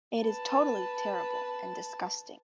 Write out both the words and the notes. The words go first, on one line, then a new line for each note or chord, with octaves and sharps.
It is totally terrible, and disgusting.
B4 A5